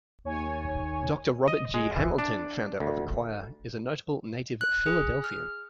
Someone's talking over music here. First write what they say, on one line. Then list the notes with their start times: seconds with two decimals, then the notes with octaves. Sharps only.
Doctor Robert G. Hamilton, founder of the choir, is a notable native Philadelphian.
0.24 D#2 C#5 G#5
1.48 D#5
1.74 G#3
1.96 E3
2.18 D4
2.80 D2
4.61 F#6
4.86 G#4
5.24 F6